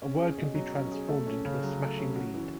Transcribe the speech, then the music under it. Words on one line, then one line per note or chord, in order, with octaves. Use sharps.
A word can be transformed into a smashing lead.
C#4
G#4
B2
F#3
C#4
G#4
A3
C#4
C#3
F#3
A3
C#4
F#4
E3